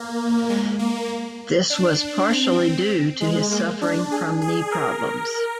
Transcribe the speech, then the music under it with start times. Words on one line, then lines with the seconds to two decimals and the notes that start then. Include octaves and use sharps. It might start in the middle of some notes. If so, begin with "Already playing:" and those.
This was partially due to his suffering from knee problems.
Already playing: A#3
0.49 G#3
0.79 A#3
1.70 D4
2.30 C4
3.20 G#3
3.51 A#3
3.81 D4
4.12 G#4
4.41 G#4
4.72 A#4